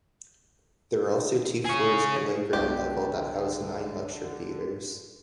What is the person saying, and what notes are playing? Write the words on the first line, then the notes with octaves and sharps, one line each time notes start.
There are also two floors below ground level that house nine lecture theatres.
G#4 C#5
C2 D3 G#3 B3 D4 F#4 G4